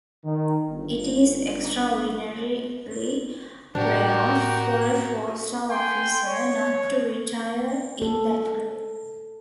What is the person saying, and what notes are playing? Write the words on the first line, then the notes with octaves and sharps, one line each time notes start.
It is extraordinarily rare for a four-star officer not to retire in that grade.
D#3
G1
A2 D4 F#4 G4 A#4
G5 G#5 C6
C#5
A4